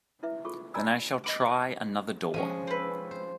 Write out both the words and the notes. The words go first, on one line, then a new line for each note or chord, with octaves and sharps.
Then I shall try another door.
E4 B4 E5
F4 G#4 A4 C#6
D5 G#5 A#5 B5 E6
D#5 B5 D6
F3 G#3 C#4 D#6
C4 B4
C5